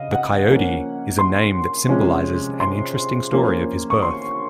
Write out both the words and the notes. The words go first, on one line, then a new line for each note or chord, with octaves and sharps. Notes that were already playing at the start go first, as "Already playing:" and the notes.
The "Coyote" is a name that symbolizes an interesting story of his birth.
Already playing: C#3 D#5 F5
F#5
F3 A#3 C#4
C6
C3 F3 G#3 C#4
C6
F3 A#3 C#4
C#6
C6